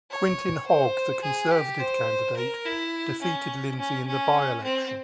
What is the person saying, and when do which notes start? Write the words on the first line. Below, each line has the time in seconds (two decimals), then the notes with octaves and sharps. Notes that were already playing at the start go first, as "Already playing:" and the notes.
Quintin Hogg, the Conservative candidate, defeated Lindsay in the by-election.
0.10 C#5
0.67 C5
1.23 G#4
1.52 G4
1.80 C5
2.37 A#4
2.65 E4
3.22 C#4
3.79 C#4
4.07 C#4
4.63 C4